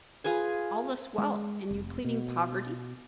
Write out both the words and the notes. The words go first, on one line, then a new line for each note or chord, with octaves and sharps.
"All this wealth, and you pleading poverty?"
F4 G#4 B4 G#5
G#3
F1
B2